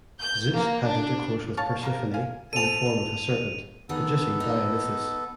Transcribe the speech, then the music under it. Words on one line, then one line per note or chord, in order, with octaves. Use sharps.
Zeus had intercourse with Persephone in the form of a serpent, producing Dionysus.
G6
A#3
D4
B2 C#5 F5 A5
D3 A#3 D4 A#4
F5 G#5
A4 C5 A5 D#7 F7
D#3 B3 D4 G#4 A4
D#4